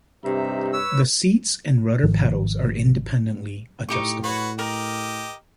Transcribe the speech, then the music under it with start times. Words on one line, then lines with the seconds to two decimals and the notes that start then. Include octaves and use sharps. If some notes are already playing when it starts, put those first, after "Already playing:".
The seats and rudder pedals are independently adjustable.
0.25 G2 C3 D#4 E5 A#5
0.73 B4 C#5 E6
2.03 G#1 G#2 D#3 F3
3.89 A2 D#4 G4 C#6
4.24 F#4 B4 C#5
4.59 G4 A#4 D#5